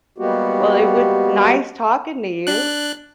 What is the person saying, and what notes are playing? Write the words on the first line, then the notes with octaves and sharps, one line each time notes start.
Well, it was nice talking to you.
G3 G#3 A#3 B3 F#4 G4
D4 F#6